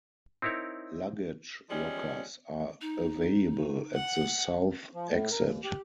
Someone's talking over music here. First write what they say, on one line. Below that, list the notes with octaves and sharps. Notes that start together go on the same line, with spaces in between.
Luggage lockers are available at the south exit.
C4 D#4 E4 A#4 C#5
F3 G3 G#3 C#4
D#4
F#5
F3
A2
A#4
D#2
G4